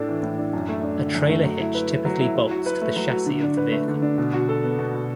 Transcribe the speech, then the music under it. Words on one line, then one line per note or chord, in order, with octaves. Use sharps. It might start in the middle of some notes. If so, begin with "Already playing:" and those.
A trailer hitch typically bolts to the chassis of the vehicle.
Already playing: A2 D4 A4
E3
A2
D4
F#2
A3
D4
D3
F#2
A3
F#3
E4
B4
A3
F#3
E4
F#3
F#4
B4
A3
F#3
F#4
D3
D4
B4
A3
D3
D4
B2
F#4
A4
B3
B2
F#4